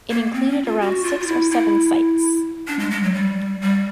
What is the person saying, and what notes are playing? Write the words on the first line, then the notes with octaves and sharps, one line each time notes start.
It included around six or seven sites.
A#3
C4
C#4
F4
F#4
F4
F4
E4
E4
D4
G#3
G#3
F#3
G3
G3